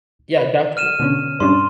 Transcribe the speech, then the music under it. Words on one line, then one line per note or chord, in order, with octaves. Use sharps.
Yeah, definitely does.
B4
F6 D#7 E7
B2 D3 C#4
G2 C#4 D4 C6